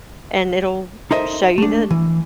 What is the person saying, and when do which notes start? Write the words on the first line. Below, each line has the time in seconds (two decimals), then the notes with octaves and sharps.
and it'll show you the
1.11 D#4 A4 A#4 C5 D#5 E5
1.58 A3 D4
1.91 E3